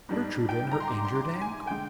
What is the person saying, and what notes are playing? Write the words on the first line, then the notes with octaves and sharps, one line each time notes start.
Gertrude and her injured ankle!
G#2 G3 D4
G5
A#5
C6
D6
C6
D6
G#5
D3 G#3 G5